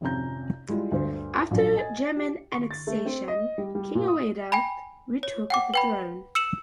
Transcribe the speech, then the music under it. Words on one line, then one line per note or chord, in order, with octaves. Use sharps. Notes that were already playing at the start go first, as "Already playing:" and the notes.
After German annexation, King Aweida retook the throne.
G#1 F2 C3 C#4 A#5 G6
G3 G#3 E4 F4
D2 G2 C5
A#1 F#2 A#2 F3
D#5 G#5 A6
G4
C#6
A6
A3
C4
D#5
G3
G3
A#2
D#6
G5 G#5 B5
C#5
F#5 G5 D6
B4 G5 B5
E6 C#7 E7 F#7